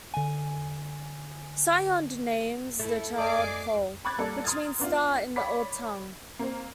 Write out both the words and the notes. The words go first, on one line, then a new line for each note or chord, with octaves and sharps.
Sioned names the child Pol, which means "star" in the Old Tongue.
D3 G#5
A3 E4 A4
D5 D#5 G#5 D6 C7
B5 C#6 D6 F#6 G#6 A6
G2 A#3 A4 D5
A#5 C6 D#6 F6 G#6 A6
B3 D4 F4
C#5 D5 B5 D6 B6
A#3 C4